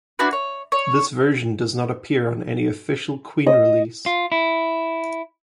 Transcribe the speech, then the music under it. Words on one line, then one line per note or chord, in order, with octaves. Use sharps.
This version does not appear on any official Queen release.
D4 E4 F#4 B4
C#5
C#5
D#5
F4
E4